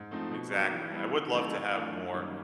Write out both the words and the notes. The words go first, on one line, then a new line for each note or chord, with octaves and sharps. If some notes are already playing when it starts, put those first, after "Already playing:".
Exactly. I would love to have more
Already playing: G#2
F3 A3 C4 D#4
B2
F#3 A#3 D#4 F#4
E3
G3 B3 E4
D#3
F#3 A3 C4 E4
A2
E3 A3 D4 F4
F#2
D#3 G3 A#3 C#4